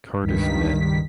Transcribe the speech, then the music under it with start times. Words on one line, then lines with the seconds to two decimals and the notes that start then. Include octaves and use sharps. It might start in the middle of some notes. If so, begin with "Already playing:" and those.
Cardiff Met.
0.23 C#2 G2 D#3 B6